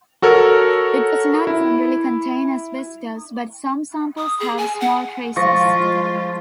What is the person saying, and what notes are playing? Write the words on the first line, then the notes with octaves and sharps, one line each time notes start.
It does not generally contain asbestos, but some samples have small traces.
F#4 A4 A#4 C#5
E4
D#6
G#4
G#5
F#5
F3 G#3 F4 C#6 A#6